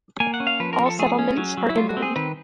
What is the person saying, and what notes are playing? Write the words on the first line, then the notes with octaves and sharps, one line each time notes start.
All settlements are inland.
A#3 G#5
F#5
C#4
F5
F3 B4
A#4
F3
A4
A3 G#4
C#4
F#3
F#3
E4
G3 F4
F#4
C4
G#4
D#3 B4